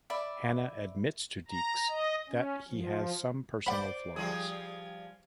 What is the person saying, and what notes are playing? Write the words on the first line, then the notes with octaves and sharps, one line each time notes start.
Hanna admits to Deeks that he has some personal flaws.
D5 E5 B5
A#5
D#5
C#4
F3
C5 D5 F#5 B5
F3 G3 G#4